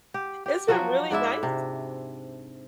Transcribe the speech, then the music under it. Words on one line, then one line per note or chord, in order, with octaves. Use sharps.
It's been really nice
G4
G4
F3 F#3 F#4
G#2 D4 E4 E5
C3